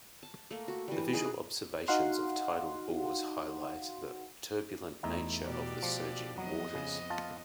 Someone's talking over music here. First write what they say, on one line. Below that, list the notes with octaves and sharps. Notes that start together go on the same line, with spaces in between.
The visual observations of tidal bores highlight the turbulent nature of the surging waters.
A5
A3 A#3
F#4
E3 G3
D#4 F#4 G#4
D#4 F#4 F5 F#5 C6
E2 A3 D#4 E5
B2 G4 D5
F3
F2 F#3 B3 D#5
C#3
F4 A5